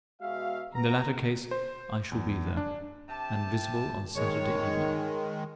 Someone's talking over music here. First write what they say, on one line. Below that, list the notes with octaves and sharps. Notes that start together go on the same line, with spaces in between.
In the latter case I shall be there, and visible on Saturday evening.
B2 G#3 F#4 E5 F5
B3 A#5
C5
E2
D4
C3 G4 A5
D#3 G#3 C#5